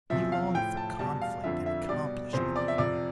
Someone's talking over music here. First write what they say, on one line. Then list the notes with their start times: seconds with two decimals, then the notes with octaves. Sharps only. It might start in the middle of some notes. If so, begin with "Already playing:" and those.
He longed for conflict and accomplishment.
0.10 E2 C3 F3 E5
0.32 F5
0.54 A2 F3 G5
0.77 A5
0.99 E2 B2 G3 A5
1.21 F5
1.44 F2 D3 F3 E5
1.66 E5
1.89 B2 G3 D5
2.33 E2 C3 F3 C5
2.56 D5
2.68 E5
2.78 F2 C3 F3 D5